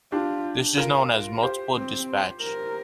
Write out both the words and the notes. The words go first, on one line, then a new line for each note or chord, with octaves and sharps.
This is known as "multiple dispatch".
D4 F4 G4
F4 A#4
G4 C5
C4
A#4